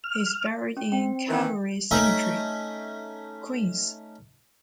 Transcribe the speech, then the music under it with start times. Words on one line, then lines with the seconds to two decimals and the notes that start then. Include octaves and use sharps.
He is buried in Calvary Cemetery, Queens.
0.04 F6
0.77 C#4
0.92 C4 G5
1.28 D#3 E3 A#4 G5
1.91 A3 C#4 D#4 E5